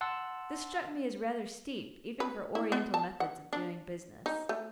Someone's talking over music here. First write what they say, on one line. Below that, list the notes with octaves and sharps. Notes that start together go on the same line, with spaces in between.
This struck me as rather steep even for Oriental methods of doing business.
F#5 A5 C6 E6
B4
E4
B3
A5
F#5
D4
D#4
A3